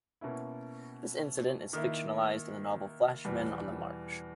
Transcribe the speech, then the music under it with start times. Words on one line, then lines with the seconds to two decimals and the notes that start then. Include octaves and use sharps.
This incident is fictionalized in the novel "Flashman on the March".
0.21 B2 A#3 C#4 E4
1.73 D#3 A#3 E4
3.25 E2 B2 G3 B3